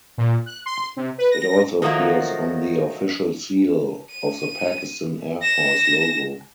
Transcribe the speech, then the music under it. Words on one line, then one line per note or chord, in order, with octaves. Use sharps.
It also appears on the official seal of the Pakistan Air Force logo.
A#2
F#6
C6
C3
B4
A#6
D#3 F3 F#3 A3 A#3
D#7
A#6 E7